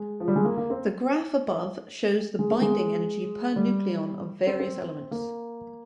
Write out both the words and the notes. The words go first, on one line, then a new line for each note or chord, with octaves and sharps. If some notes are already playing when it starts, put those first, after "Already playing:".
The graph above shows the binding energy per nucleon of various elements.
Already playing: G#3
F3
G3
G#3
A#3
A#3
C4
G#3
A#3
G#3
G3
C4
C4
A#3